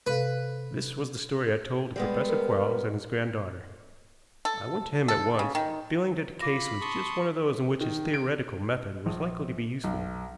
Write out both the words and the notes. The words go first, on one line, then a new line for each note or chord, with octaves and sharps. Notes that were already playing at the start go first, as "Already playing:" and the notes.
This was the story I told to Professor Quarles and his granddaughter. I went to him at once, feeling that the case was just one of those in which his theoretical method was likely to be useful.
C3 A4 B4 F5
G3 G#3 B3
A#4
A4
A4
C#3
D#3
F4 B5 D6 A#6
A5 C6 C#6 D#6
D#3
D7
A#1
B1